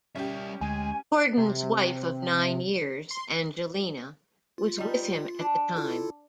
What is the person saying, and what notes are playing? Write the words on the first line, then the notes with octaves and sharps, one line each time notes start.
Corden's wife of nine years, Angelina, was with him at the time.
G3 C#4 G4 E5
D2 G#3 G#5
C3
C6
F4
G3 D#4
D4
E4 F4 A4